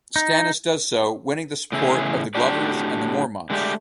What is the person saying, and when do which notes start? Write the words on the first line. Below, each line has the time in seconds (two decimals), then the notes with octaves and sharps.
Stannis does so, winning the support of the Glovers and the Mormonts.
0.16 D#4
1.72 A2 C#3 E3 E4 G#4
2.35 A2 D4 F#4 G4 D5
3.50 D3 G#3 A3 G4 D5